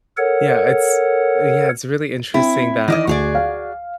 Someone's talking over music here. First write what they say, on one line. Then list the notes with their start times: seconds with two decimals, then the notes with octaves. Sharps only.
Yeah, it's uh, yeah, it's really interesting that
0.17 A4 A#4 C#5 F#5
2.34 C4 E4
2.88 D#3 E3 D5 D#5
3.07 D2 F#4 G#4 D5
3.35 F5